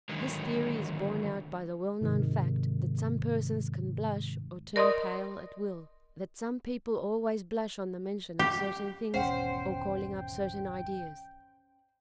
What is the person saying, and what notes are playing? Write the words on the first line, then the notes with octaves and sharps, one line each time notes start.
This theory is borne out by the well-known fact that some persons can blush or turn pale at will; that some people always blush on the mention of certain things, or calling up certain ideas.
D3 D#3 F#3 G#3
G#2 C3 D#3 G#3
A#4 D5 D#5 C6 D#6
G4
G#1 E2 B2 C#4 C5 F#5 G5